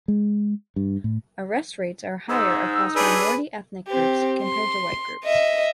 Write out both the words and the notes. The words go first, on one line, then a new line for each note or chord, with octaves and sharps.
Arrest rates are higher across minority ethnic groups compared to white groups.
G#3
G2
A2
G#2 D#4 E6
C#4 D4 G#4 B4
C4 G4
C6
D#5 E5